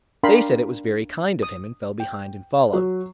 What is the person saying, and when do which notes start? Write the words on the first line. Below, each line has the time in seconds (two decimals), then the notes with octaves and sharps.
They said it was very kind of him, and fell behind, and followed.
0.23 D4 A#4 F5 G5 B5 C6
1.43 D#6
2.00 G5
2.73 F#3